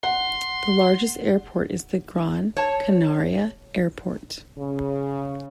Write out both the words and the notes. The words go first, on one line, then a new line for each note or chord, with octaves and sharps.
The largest airport is the Gran Canaria Airport.
F#5 C6
C#5 A5
C#3